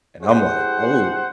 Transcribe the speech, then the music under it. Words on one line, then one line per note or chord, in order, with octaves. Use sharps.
And I'm like, oh.
E4 G4 G#4 C5 F#5